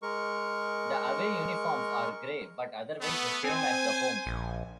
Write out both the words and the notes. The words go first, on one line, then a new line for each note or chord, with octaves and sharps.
The away uniforms are grey, but otherwise the same as the homes.
G#3 A#4 C#6
A3 B3
C4 C5 G#5
A#1